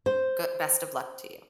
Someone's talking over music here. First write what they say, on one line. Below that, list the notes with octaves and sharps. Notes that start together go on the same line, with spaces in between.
Goo Best of luck to you.
C5